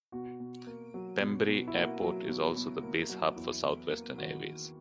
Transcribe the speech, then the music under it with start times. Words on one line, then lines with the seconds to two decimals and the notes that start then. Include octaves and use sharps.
Pembrey Airport is also the base hub for South Western Airways.
0.12 B2 F#4
0.40 B2
0.67 A#3
0.94 F#3
1.20 B2
1.48 B2
1.68 E4
1.75 A#3 F#4
2.02 F#3
2.28 B2
2.56 B2
2.83 A#3
3.09 F#3
3.36 E2 E4
3.64 E2
3.91 A#3
4.18 D#3 F#4